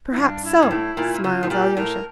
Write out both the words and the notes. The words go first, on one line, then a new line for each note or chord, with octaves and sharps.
"Perhaps so," smiled Alyosha.
E4
G2 D4
E4
G2
A2
A#2
A#2
C#3 F4
A2
A#2 G4
A2 A#4